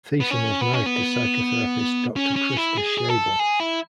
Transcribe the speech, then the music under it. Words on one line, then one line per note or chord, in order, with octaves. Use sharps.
Theissen is married to psychotherapist Doctor Christa Schaible.
B3
C#4
B3
C#4
B3
C#4
C#4
E4
G#4
G#4
A4
G#4
E4